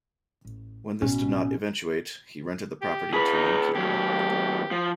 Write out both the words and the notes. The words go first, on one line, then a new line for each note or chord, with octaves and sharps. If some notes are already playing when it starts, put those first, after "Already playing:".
When this did not eventuate, he rented the property to an innkeeper.
A1
A1 B2 C#4
G4
G#4 B4 B5
D#4
D#2 F#3 G4
F3